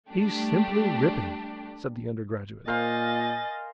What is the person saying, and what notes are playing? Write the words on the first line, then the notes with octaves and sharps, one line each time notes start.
"He's simply ripping!" said the undergraduate.
G3 A3 D4 G4
A#2 A#4 C5 D#5 F5 G#5 A6